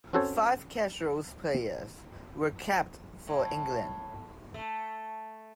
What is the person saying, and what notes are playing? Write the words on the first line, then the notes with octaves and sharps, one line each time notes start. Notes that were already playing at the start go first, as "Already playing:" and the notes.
Five Casuals players were capped for England.
C4 C#4 F#4 A4 C5 C#5
A2
A3